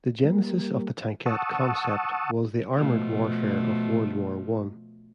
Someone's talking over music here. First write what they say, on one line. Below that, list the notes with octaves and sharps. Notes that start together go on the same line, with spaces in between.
The genesis of the tankette concept was the armoured warfare of World War One.
G3 A#3
F#5 A5 C#6 D#6 E6
B2 F3 A3